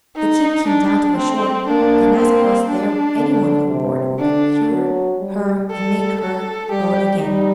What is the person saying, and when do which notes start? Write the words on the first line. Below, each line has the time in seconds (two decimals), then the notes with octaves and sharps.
The King came down to the shore, and asked was there anyone on board who could cure her and make her well again.
0.16 D#4
0.66 D4
1.16 A3 C4
1.67 A#3 D4
2.17 A#3 C4
2.67 D4
3.18 D3
3.69 C3
4.19 D3 D4
4.70 F#3
5.20 G3
5.70 G3 A4
6.21 A4
6.70 G3 G4
7.21 G3 D#4